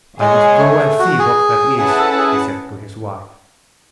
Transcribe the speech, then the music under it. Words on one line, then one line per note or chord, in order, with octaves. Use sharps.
'I must go and see what that is,' he said to his wife.
G#3 G#4 C#5 G#5
A3
F#4
G#4
C#4 E4 G#4 B4 F#5 A5
A4
G#4